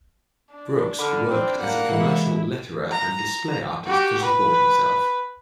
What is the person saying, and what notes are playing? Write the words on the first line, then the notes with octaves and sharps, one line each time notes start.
Brooks worked as a commercial letterer and display artist to support himself.
D4
D3 B5 D6 F6
C4
A#3 F#5
E3 G#3 E4
A#5
F#4 G4
B4